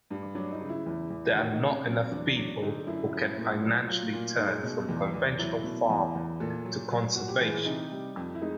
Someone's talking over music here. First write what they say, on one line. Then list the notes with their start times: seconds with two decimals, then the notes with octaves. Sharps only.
There are not enough people who can financially turn from conventional farming to conservation.
0.11 G2
0.35 F#3 D4
0.52 D#4
0.61 C#3
0.69 E4
0.86 E2
1.10 E2
1.35 D#3 F#4
1.52 D#4
1.62 C3
1.70 C#4
1.86 F#3 C4
2.11 E2 D4
2.36 F#3 D4
2.62 D3 D#4
2.87 F#2 E4
3.13 F#2
3.37 A#2
3.63 F#3
3.88 F#3 F4
4.13 A#2 F4
4.38 G#3 D#4
4.63 B2
4.89 E2
5.14 E2
5.39 F#3 E4
5.64 B2
5.90 E2
6.15 E2
6.40 A#2 A4
6.65 F#3
6.91 F#3
7.15 A#2 F#4
7.28 G4
7.41 E3 G#4
7.65 C3 D#4
7.91 G3
8.16 F2
8.35 E4
8.42 G#3 D#4